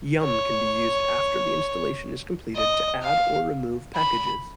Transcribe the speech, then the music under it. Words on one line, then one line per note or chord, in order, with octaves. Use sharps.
Yum can be used after the installation is completed to add or remove packages.
C#5
D#5
F5
B5